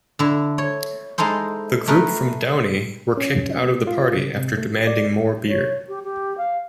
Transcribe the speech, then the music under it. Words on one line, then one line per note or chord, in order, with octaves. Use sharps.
The group from Downey were kicked out of the party after demanding more beer.
D3 E4
C#5
G#3 D#4 E4 A4 C5
A3 A#4 B4
C#4
B3
F4
C#3
C3
A3
D5
C#5
G4
G4
F5